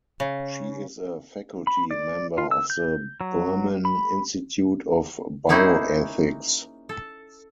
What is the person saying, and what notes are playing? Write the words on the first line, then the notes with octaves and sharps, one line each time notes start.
She is a faculty member of the Berman Institute of Bioethics.
C#3
B5
D5
F4
E6
G6
F#3
B5
A#3 C#4 D#4 E4 G#4 C5
A4